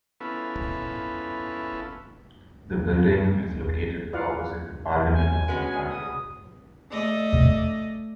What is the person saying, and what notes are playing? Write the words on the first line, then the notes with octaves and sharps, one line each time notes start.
The building is located opposite the Parliament of Ontario.
B3 C#4 E4 F4 A4 B4
E4 F4 B4 D5 F5 F#5
F#3 G#5
G#3 B3 C#4 F#4
D#6
A3 D5 D#5